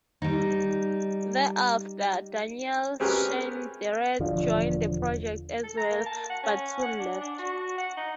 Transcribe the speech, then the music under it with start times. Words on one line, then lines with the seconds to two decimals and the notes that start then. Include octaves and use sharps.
Thereafter Daniel Schneidereit joined the project as well, but soon left.
0.22 G3 D#4
3.00 C4 C#4 G4 G#4 A#4 B4
4.20 E1 D3 F3
5.64 A4
5.77 A#5
5.90 A#3
6.06 A5
6.30 F#5
6.43 C#4
6.82 F#5
7.00 D4
7.21 D4
7.39 F#4
7.78 F#5
7.97 D#4